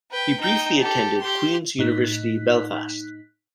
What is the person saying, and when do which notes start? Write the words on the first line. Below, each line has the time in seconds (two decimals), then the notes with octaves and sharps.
He briefly attended Queens University Belfast.
0.11 B4 G5
0.40 D#4 G5
0.80 G4 A4
1.21 G4 C6
1.79 A2 D#4 F#6 B6